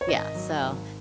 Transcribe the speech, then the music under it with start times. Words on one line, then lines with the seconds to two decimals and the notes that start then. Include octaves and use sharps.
Yeah, so
0.01 C#5
0.08 G#1 D#5
0.35 F#3
0.61 G#1